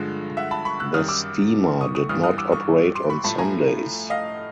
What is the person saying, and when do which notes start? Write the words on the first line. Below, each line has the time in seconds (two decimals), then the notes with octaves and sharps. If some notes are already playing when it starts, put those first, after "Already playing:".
The steamer did not operate on Sundays.
Already playing: G2 D3 F3 G#3
0.37 E5 F#5
0.51 A5 B5
0.65 B5 C#6
0.80 E6 F#6
0.94 F#2 D#3 G3 D#6 F6
1.09 D6 E6
1.81 C#6 D#6
1.95 C#6 D#6
2.09 G2 E3 G3 D#6 F6
2.24 D#6 F6
2.38 D6 E6
2.52 C#6 D#6
2.95 C6 D6
3.10 B5 C#6
3.24 A2 F3 A3 A5 B5
3.38 G#5 A#5
4.10 D#5 F5